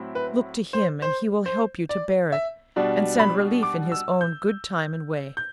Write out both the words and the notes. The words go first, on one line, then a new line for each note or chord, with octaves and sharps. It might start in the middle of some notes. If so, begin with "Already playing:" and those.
Look to Him and he will help you to bear it, and send relief in His own good time and way.
Already playing: A2 F#3 C4 E4
B4
C5
C5
C5
D5
E5
B2 G3 D4
B5
D6
E6
G6
G6